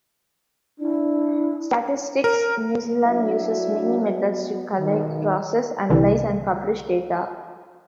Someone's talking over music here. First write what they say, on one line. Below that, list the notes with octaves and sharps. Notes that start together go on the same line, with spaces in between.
Statistics New Zealand uses many methods to collect, process, analyze, and publish data.
D4 E4
A#4
F#3 D4 E4 F#4 E5
B3
B1 D#3
C2 D3 E3